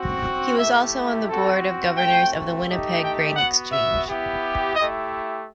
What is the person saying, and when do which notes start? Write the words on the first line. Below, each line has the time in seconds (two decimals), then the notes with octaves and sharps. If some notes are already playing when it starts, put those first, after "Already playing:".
He was also on the board of governors of the Winnipeg Grain Exchange.
Already playing: C4 F#4
0.59 A3 E4 G4 E5
1.28 C4 F#4 A4
1.97 A3 C4 F#4 G5
2.67 A3 D#4 G4
3.02 G5
3.36 B3 F#4 F#5
3.71 E5
4.06 B3 E4 G4
4.75 A3 E4 G4 D#5